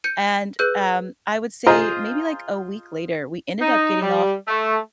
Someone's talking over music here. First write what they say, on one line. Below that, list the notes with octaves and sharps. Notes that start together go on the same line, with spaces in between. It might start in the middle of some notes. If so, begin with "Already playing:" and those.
And, um, I would say maybe, like, a week later, we ended up getting off
G6 C#7 D#7
G#4 B4 E6 F#6 G6
F4 G#4 C5 D#5 A#5
D#4
G3
A3